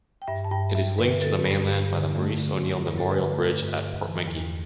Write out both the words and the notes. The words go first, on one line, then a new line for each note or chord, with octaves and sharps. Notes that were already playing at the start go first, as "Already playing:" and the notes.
It is linked to the mainland by the Maurice O'Neill Memorial Bridge at Portmagee.
G5
G2 E5
A5
G2 G5
G2 E5
D3 B4
D3 A4
G2
G2
D3
A3
D3
A3
G2
A4
D3 B4
A3
G2
G2
E3
E2